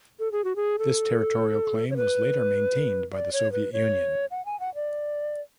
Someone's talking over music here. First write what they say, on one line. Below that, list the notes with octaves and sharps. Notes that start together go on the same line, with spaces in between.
This territorial claim was later maintained by the Soviet Union.
A4
G#4
F#4
G#4
A4
C#5
B4
D5
C#5
B4
C#5
F#5
G#5
F#5
D5